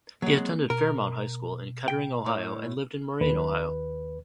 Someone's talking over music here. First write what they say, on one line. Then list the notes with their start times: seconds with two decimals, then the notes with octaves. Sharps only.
He attended Fairmont High School in Kettering, Ohio and lived in Moraine, Ohio.
0.22 F#3 G#3 A#3 C4
0.70 B2 A#4
1.88 G5
2.26 A2
3.21 D#2 B4